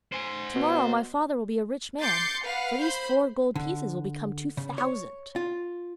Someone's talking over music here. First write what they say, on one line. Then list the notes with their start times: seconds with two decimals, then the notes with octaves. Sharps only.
"Tomorrow my father will be a rich man, for these four gold pieces will become two thousand."
0.13 C5 G#5
0.56 B2
2.00 C6 D6 G6 A6 C7 C#7
2.43 B4 F5 F#5
2.80 C5 B5 G6
3.56 D3
4.57 C#3
4.78 C#5
5.36 F4